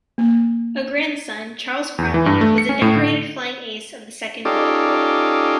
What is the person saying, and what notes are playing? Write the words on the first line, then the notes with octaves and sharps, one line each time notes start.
A grandson, Charles Crombie, was a decorated flying ace of the Second World War.
A#3
E2
E3
G2
A3
C#7
C#4
A2
D3
C#4 D#4 F4 G4 A4 D5